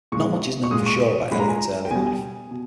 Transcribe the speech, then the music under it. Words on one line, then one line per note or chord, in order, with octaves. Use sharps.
Not much is known for sure about Elliott's early life.
A#2 G#3 C#6
C#6
A#2 G#3 D#6
C#6
A#2 G#3 B5
A#5
G#5
A#5
G5
B2 G3 G#5
G#5
B2